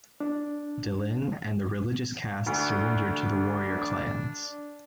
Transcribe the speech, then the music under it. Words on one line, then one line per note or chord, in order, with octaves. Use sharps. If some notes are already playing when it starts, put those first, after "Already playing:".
Delenn and the religious caste surrendered to the warrior clans.
D4
D2 D4